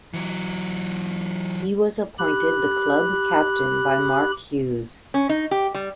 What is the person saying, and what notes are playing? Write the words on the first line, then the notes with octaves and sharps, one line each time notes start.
He was appointed the club captain by Mark Hughes.
E3 F#3
G4 B5 F#6
C#4
D#4
G4
G3